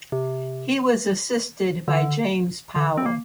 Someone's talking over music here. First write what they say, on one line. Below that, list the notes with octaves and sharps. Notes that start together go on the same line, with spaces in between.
He was assisted by James Powell.
C3
D3
D3
C4
A#3